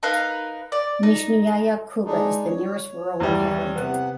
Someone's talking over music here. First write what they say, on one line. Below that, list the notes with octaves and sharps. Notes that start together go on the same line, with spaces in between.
Nizhnyaya Kuba is the nearest rural locality.
D#4 A#4 B4 F5
D5
D#4
G#3 D4 D#4
C#5
E2 G3
C3 B3 F#5